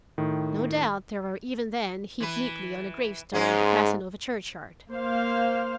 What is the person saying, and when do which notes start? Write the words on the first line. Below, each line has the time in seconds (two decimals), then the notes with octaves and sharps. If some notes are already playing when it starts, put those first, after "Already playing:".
No doubt they were even then heaped neatly on a gravestone in the Casanova churchyard!
0.18 A2 D#3
2.20 E3 B4
3.34 G#2 G#3 C#4 G#4
4.90 A#3 C5 F5